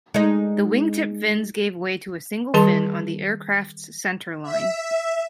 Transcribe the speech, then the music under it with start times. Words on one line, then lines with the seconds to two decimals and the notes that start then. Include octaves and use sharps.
The wingtip fins gave way to a single fin on the aircraft's centreline.
0.14 G#3 D#4
2.54 D#3 G3 G#4 A5 C6
4.43 E5